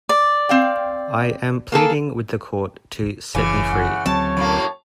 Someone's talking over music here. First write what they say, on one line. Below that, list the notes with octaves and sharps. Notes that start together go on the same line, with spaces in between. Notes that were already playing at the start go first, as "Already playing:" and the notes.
I am pleading with the court to set me free.
D5
C4 F5 G5
A#3 G#4 A4
F#1 C#3 E3 G#5
F#5
D2 F#3 C4 C#5 A5
F#2 A2 A#3